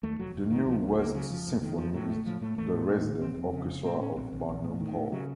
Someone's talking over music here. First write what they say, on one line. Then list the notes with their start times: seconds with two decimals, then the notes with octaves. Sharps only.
The New West Symphony is the resident orchestra of Barnum Hall.
0.03 D#2 A3
0.19 F1 F#3
0.35 F1
0.50 F1 D#3
0.66 C#2 F3
0.83 C#2
0.89 F#3
0.99 C#2 A#3
1.15 C#3 F#3
1.30 F1 F3
1.47 F1
1.62 F1 D#3
1.78 F2 F3
1.94 A2 F#3
2.09 A1 A3
2.26 A2 F3
2.41 A2 A3
2.58 A1 A3
2.73 A2
2.89 A2
3.05 A1
3.21 F1 C4
3.37 F2
3.53 C#3
3.69 F1
3.84 A2 C4
4.01 A2 C#4
4.16 A#1 C4
4.33 A#1
4.49 A#1
4.64 A2
4.80 A2 D#3
4.96 A2
5.12 C#3 F#3